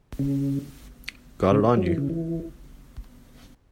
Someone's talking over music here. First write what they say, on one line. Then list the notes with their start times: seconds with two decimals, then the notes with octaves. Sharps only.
Got it on you?
0.19 C#3
1.52 C#3
1.77 F#3
1.88 E3
1.98 C#3
2.10 E3